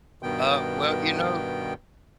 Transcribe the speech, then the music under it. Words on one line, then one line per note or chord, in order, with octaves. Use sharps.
Uh, well, you know
G2 B2 D#3 B3 G5